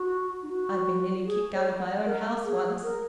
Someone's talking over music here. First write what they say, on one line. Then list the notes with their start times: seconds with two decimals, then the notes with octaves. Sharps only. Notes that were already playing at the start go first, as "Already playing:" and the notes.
I've been nearly kicked out of my own house once.
Already playing: F#4
0.43 D#4
0.49 F#4
1.22 F#4
1.27 G#4
1.53 C#5
1.79 F#5
2.05 A#4
2.44 G#4
2.83 A#4